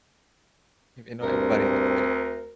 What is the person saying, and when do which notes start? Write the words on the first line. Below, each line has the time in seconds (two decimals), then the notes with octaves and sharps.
If You know, everybody has to
1.23 D2 G2 C4 A#4